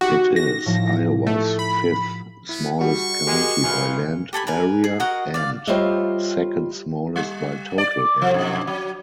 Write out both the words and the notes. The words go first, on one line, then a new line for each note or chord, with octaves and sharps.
It is Iowa's fifth-smallest county by land area and second-smallest by total area.
D#4 F#4 G4
A#6
A2 F3 E7
A3
B5
B3 E4
G3 F#4 G#4 C#6
G#3 G4 A#4
B1 E3 F4 G#5
G4 A4 G#5 B5
A#4 B4 G#5
G#4
F#4 A#4 D#5 F#5
D5 F5
G3 F4 C5 C#5 D#5 E5
G3
D5
F3
F2
F#3